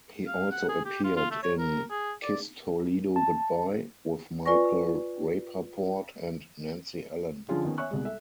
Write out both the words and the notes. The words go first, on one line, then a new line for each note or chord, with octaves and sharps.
He also appeared in "Kiss Toledo Goodbye" with Michael Rapaport and Nancy Allen.
F5
F#5
G#4
G4
F4
F4
A3
C#5
A#4
G#4
D5
A5
F4 B4 D5 G#5 C#6 A#6
D3 F3 C#4 F4 G#4
D#3 B3 C#4
C#5 E5 G#5 C#6 F#6
C2 B2 G3 G#3
A4 E5